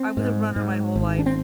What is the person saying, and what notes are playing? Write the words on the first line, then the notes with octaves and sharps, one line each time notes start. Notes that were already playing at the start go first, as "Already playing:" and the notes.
I was a runner my whole life.
Already playing: C4
G#2
G#2
G#1
D4
C4